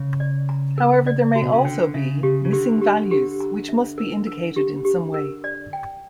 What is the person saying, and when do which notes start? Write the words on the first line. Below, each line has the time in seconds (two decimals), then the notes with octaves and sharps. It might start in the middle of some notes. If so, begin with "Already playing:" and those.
However, there may also be "missing values", which must be indicated in some way.
Already playing: C#3
0.20 D5
0.49 A#5
0.78 A#4
1.06 D5
1.35 F#4
1.42 B2
1.53 C#3
1.65 D3 C#4
1.94 C#3 E5
2.23 C#3 G4
2.45 C#3
2.52 D3 G4
2.82 G4
3.11 G4
3.40 A#5
3.69 E5
3.98 A#4
4.27 A#4
4.56 G4
4.85 G4
5.14 A#4
5.44 D5
5.73 G5